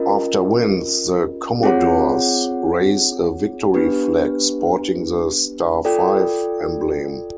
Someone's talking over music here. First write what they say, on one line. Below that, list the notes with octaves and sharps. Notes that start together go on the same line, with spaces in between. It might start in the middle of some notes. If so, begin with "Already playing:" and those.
After wins the Commodores raise a victory flag sporting the "Star Five" emblem.
Already playing: C#4 F4 A#4 D#5
C4 F4 G#4 C#5 F#5
B3 D4 G4 B4
F4 A4 D5 G5